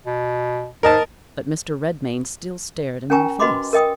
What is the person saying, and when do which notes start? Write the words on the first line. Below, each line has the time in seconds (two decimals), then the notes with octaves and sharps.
But Mr. Redmain still stared in her face.
0.06 B2
0.83 G#2 A#4 D#5 A5
3.10 C#4 A#4 G5 G#5 A#5 C#6
3.40 F#4 B4 D#5 B5 C6 D6
3.73 A#4 D#5 G5 D#6